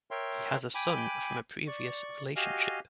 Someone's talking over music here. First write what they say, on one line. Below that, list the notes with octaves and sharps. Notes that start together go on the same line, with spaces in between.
He has a son from a previous relationship.
A#4 C#5 E5 G5 C6
G5 G#5 B5 D6
D5 C#6
F#4 G4 D#5 F5 G#5 F6